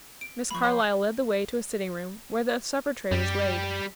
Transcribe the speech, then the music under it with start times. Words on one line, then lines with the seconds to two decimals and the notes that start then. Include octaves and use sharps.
Miss Carlyle led the way to a sitting-room, where the supper-tray was laid.
0.21 D7
0.51 F3 A#3 B5 C#6
0.64 C#5 G5 B5 C6
3.11 F#2 G3 G4